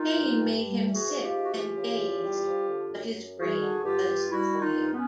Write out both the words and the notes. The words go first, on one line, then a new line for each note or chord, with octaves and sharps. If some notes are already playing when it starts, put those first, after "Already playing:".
Pain made him sick and dazed, but his brain was clear.
Already playing: D#3 D#4 F4
G2
G2
G3
E3
F#4 G#4
G#2
F4 G4
G#2
F#4
E3 F4 G4
C#3
E2
G3
F3
D3
F#2
F#2
G3 F#4 G#4
D3
G2 F4 G4
G2
G3 E4 F#4
D#3
D#4 F4
G2
B3 C#4